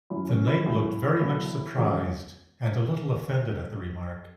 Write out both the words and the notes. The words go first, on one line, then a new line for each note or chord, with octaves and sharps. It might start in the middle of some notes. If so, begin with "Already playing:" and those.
The Knight looked very much surprised, and a little offended at the remark.
F#2 F#3 C#4 E4
C#4
E4
C#2 B2 F#3 E4
B1 B2 B3
E1 E2 C#3 F#3